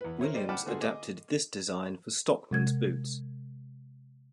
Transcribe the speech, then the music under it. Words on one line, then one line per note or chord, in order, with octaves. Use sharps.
Williams adapted this design for stockmen's boots.
E2 B4
A#4 C5 C#5 E5
G3 C5 D5 D#5
F#5 G5 A5 B5 D6 F6
D3 B3 F4 F#4 G#4 A4
G#4 D#5 D6
C3 G#3 G#6